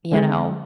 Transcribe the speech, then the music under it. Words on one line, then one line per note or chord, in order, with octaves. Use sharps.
You know?
D3 G#3 C4 G#4